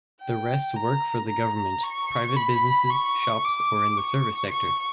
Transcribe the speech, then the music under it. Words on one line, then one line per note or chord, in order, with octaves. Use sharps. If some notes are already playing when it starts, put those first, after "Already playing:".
The rest work for the Government, private businesses, shops or in the service sector.
G5
A#5
A#5
C#6
B5
C#6
D6
C#6
C#6